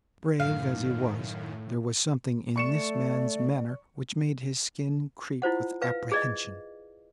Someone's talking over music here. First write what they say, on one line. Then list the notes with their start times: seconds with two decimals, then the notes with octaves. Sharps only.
Brave as he was, there was something in this man's manner which made his skin creep with apprehension.
0.40 F#2 A2 D#3 F5
2.56 A3 D5 C#6 C#7 E7
5.42 E4 F4 C5 F#5
5.82 B4 F5
6.12 G#4 D5 D#5